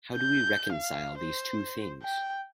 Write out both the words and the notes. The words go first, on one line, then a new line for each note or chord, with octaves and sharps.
How do we reconcile these two things?
G6
F5
C5
G5